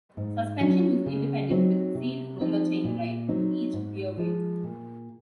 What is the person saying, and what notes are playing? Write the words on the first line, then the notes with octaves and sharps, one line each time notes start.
Suspension was independent with sealed roller chain drive to each rear wheel.
G#2
F#3 C#4
C#3
F#3 C4 D#4
C3
F3 C4 D#4
A#2
F#3 C4 D#4
G#2
F3 G#3
A#2